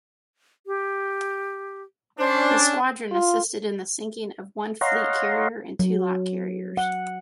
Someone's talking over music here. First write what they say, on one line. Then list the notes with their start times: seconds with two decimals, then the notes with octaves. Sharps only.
His squadron assisted in the sinking of one fleet carrier and two light carriers.
0.67 G4
2.19 C#4 D4 C5
3.11 F4
4.81 C#5 D#5 F5 F#5 A#5 C6
5.80 F#3
6.77 F#5